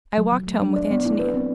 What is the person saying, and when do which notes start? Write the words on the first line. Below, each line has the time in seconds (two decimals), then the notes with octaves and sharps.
I walked home with Antonia.
0.18 F#3
0.32 F#3
0.47 A3
0.62 D4
0.76 D5
0.91 B3
1.05 E4
1.19 B4
1.34 C4